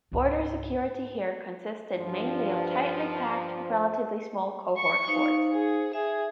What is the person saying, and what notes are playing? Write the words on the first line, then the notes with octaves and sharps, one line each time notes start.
Border security here consisted mainly of tightly packed, relatively small cohort forts.
C#2 G#2
G2 F3
C#6 C#7
D#4 C5 F5
G#4
G#4 E5